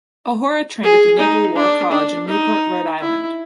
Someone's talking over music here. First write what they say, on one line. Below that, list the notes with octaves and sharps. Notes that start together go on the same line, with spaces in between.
O'Hora trained at the Naval War College in Newport, Rhode Island.
G#4
D#4
D4
D4
D#4
E4